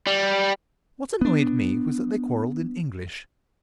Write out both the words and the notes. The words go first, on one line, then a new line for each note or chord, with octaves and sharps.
What annoyed me was that they quarrelled in English.
G3
B3 D4